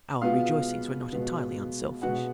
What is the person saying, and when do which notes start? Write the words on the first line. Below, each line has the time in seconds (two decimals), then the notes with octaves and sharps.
Our rejoicings were not entirely unselfish.
0.21 B2 G#3 B3 F4 F5
1.13 B2 G#3 B3
2.02 B2 G#3 B3 F#4 F#5